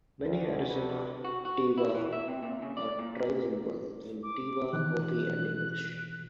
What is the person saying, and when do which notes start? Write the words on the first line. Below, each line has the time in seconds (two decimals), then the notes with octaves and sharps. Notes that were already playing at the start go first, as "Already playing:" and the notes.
Many Arizona Tewa are trilingual in Tewa, Hopi, and English.
0.20 D2
0.70 D4 F#4 G4 A4 B4
1.25 F#4
1.45 F#4
1.78 E4
1.95 E3
2.13 E5
2.28 C3
2.42 A#2
2.62 C#3
2.77 D5
2.99 A#2
4.23 D6
4.73 B2 D#3 E3 F#6